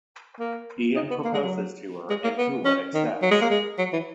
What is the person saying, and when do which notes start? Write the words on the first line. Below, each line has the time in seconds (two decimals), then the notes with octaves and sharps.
Ian proposes to her, and Toula accepts.
0.39 A#3
0.96 D#4
1.10 B3
1.24 A#3
1.34 G#3
1.43 F#3
2.10 G#3
2.24 A#3
2.38 B3
2.65 C#4
2.94 D#3
3.22 F#3
3.31 G#3
3.41 A#3
3.50 G#3
3.78 F#3
3.93 E3